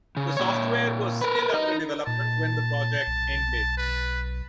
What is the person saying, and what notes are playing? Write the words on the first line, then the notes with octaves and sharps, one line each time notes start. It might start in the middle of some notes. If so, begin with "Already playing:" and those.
The software was still under development when the project ended.
C#3
A#2 C#5
A#4 B4
D#4 D#5
A#2 A5
B1
B4